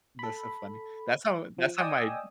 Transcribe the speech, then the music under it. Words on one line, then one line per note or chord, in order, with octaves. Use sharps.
That's so funny, that's how that's how my
A4 B5
F3
D5 D#5 G5 G#5 D#6 E6